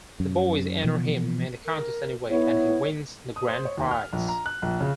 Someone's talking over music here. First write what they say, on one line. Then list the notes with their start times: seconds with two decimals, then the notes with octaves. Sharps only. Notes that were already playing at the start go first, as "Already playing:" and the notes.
The boys enter him in the contest anyway and he wins the grand prize.
0.20 F#2
0.84 B2 E3 F3 B3
1.65 A#4
2.30 B3 E4 C#5
3.36 D#6
3.48 C5
3.65 C#5
3.78 D#2
3.91 F6
4.13 A#1
4.28 A#5
4.46 F#6
4.62 A#1
4.80 C#3